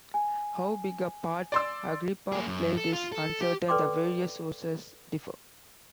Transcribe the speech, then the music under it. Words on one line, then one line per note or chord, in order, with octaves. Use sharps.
How big a part Agrippa played is uncertain; the various sources differ.
G#5
D5 C6 E6
A#3 G#4
F#2
A4
F4
A4
G4
A4 B4 D5 G5 C6 D6